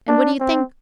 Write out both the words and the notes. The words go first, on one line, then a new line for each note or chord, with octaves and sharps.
And what do you think?
D4
C4